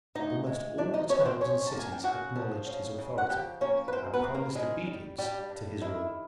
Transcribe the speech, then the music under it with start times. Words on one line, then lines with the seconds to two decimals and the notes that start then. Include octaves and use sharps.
Almost all the towns and cities acknowledged his authority, and promised obedience to his rule.
0.15 D2 D#4 D#5
0.46 G#3
0.78 C3 D4 D5
0.93 D#4 D#5
1.09 F3 C#4 C#5
1.19 B4
1.25 C4 C5
1.41 F2 C#4 C#5
1.67 A5
1.72 A#3
1.79 G#5
1.92 G5
2.04 C#3 F#4 F#5
2.35 F3
2.66 C#3
2.98 C#3
3.18 F#5
3.29 F3 G4 G5
3.61 A#3 C#4 C#5
3.88 B4
3.92 F#2 C4 C5
4.13 B3 B4
4.24 C4
4.34 A#3 A#4
4.55 D#3 G#3 G#4
4.87 G3
5.18 G2 G3 G4
5.50 G2
5.81 D#3 E4